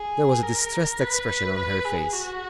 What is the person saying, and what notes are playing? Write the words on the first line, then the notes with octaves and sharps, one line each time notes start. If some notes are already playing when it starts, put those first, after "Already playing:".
There was a distressed expression on her face.
Already playing: G#4
A#4
B4
B4
B4
G#4
F#4